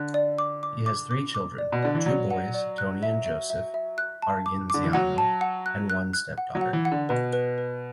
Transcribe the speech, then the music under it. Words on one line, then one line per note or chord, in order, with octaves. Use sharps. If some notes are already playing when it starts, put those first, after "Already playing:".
He has three children: two boys, Tony and Joseph Argenziano, and one step daughter.
Already playing: D3 F#6
D5
D6
D6
D6
D6
D6
D5
B2
D3 D5
E3
F#3 D5
F#5
D5
F#6
E5
E5
E5
E5
F#6
A5
D6
D3 D6
E3
F#3 F#5
A5
F#5
F#6
F#6
F#6
F#5
F#3
F#5
E3
F#5
D3
B2 B4
B4
B4